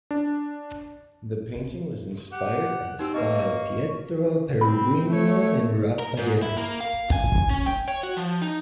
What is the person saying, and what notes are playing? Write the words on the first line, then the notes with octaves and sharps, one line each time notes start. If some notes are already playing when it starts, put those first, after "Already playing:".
The painting was inspired by the style of Pietro Perugino and Raphael.
D4
G4 F#5
C4 D#4 G4 E6
A#3 B4 D#5 C#6
C4 B5
A3 C#5
A#4
G#2
E4
A#3
F5
G#5
C#4
G5
C#5
F#4
F3
D#4